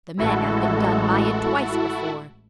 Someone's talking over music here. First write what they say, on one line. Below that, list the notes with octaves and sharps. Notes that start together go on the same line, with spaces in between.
The men have been done by it twice before.
A1 G#3 E4 F#4 A4